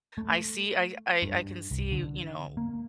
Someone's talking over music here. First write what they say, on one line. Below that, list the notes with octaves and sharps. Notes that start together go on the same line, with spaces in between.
I see I I I can see, you know,
A3
G2
C2
D3
A#3